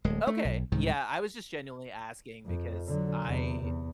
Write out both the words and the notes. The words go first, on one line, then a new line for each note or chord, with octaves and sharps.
Okay. Yeah. I was just genuinely asking because I
D1 G#3
A3
B1
C2 G#2 D#3
F2
D3 F#3
E2 C3
E2